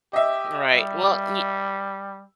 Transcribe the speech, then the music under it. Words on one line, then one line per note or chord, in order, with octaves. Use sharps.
right. Well, y
G4 D#5 E5
G3